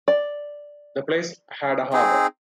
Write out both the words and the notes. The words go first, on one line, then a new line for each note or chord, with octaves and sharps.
The place had a harbour.
D5
C4 D#4 G#4